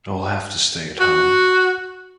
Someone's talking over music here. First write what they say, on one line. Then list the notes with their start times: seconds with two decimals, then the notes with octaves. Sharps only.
I’ll have to stay at home.
1.00 F#4